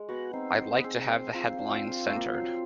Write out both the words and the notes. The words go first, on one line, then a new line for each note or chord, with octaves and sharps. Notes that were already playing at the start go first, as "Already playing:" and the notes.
I'd like to have the headline centred.
Already playing: G#3 G#4
B3 F#4
C4 D#4
C5
B3
C4 G#4
C5
C4 F4
D4
F4
A3 F4
A#3
B3
F#3 C4